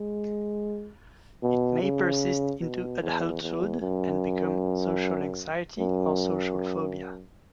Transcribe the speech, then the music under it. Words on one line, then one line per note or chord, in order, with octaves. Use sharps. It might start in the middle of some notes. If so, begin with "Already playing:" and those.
It may persist into adulthood and become social anxiety or social phobia.
Already playing: G#3
B2
C#3
B2
E2
E2
F#2
F#2